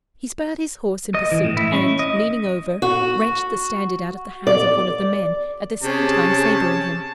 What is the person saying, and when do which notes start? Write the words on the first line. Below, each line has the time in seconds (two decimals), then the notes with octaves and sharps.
He spurred his horse in pursuit, and, leaning over, wrenched the standard out of the hands of one of the men, at the same time sabering him.
1.15 D#5
1.32 E3
1.44 A2
1.57 E4
1.73 C#4
1.99 D#5
2.82 F#4
4.47 D5
5.83 C3 C#4 G#4 A5